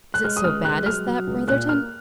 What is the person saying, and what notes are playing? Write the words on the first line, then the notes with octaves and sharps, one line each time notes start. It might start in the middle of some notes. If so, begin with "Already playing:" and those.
"Is it so bad as that, Brotherton?"
F#6
G#3 F6
D#6
C#2 F6
G#3 F#6
F#3 F6
F#3
C#2
A#2 F#6
A#3 F6